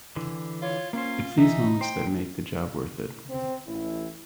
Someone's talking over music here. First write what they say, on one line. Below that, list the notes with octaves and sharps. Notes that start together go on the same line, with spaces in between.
It's these moments that make the job worth it.
D3 E3
F4 C#5
A#3 C#4 F4 C5
E3 D#4 E5
C5 G5
C4
A1 E4